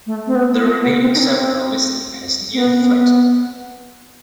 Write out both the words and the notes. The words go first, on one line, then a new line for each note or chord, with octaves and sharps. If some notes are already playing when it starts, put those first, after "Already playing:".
The remaining seven are listed as Near Threatened.
A3
C4
B3
A3
B3
C4
D#4
C4
C4
B3
C4
B3